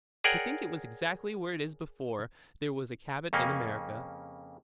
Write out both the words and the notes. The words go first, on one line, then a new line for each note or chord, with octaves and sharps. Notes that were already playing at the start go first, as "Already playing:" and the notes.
"To think it was exactly where it is before there was a Cabot in America!"
G#4 A#4 C#5 D5 F#5 G5
F2 C#3 A#3 C#4